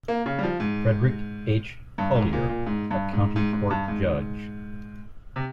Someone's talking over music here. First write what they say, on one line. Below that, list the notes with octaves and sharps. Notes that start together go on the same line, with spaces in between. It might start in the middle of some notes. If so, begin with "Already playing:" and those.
Frederick H. Collier, a county court judge.
A#3
C#3
G3
F3
G#2
G2
G#2
A#2
A#2
G#2
G2
G#2
G#2
G#2
G2
G#2
C3